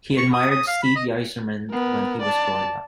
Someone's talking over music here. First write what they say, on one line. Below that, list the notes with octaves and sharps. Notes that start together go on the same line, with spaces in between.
He admired Steve Yzerman when he was growing up.
C#6
D#6
D#6
F5
B5
D#5
B3 A#4
D5 A5